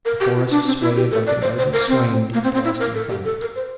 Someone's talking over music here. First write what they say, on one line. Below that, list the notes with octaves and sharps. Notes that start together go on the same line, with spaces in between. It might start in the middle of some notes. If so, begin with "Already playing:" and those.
The forest swayed like an ardent swain deep lost in thought.
A#4
G4
F4
D4
C4
E4
G4
A4
D5
C5
C5
A#4
C4
A#3
C4
C4
E4
A#4
A4
G4
A4
A#4
C5